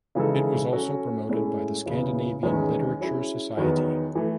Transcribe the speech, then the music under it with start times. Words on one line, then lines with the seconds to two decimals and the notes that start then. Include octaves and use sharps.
It was also promoted by the Scandinavian Literature Society.
0.15 C#3 E3 G#3 D#4 A4
0.73 F#3 C#4 F#4 A4
1.29 A2 G#3 C#4 E4 A4
1.86 E2 C#3 F#3 B3 E4
2.43 E2 D#3 G#3 C#4
3.00 F#3 C#4 E4 G#4
3.57 E2 D#3 F#3 B3 F#4
4.15 E3 A3